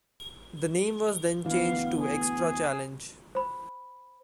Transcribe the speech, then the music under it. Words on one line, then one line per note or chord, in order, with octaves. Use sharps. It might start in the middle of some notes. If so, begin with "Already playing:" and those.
The name was then changed to "Extra Challenge".
D2 E3 B3 F5
G#4
C5 B5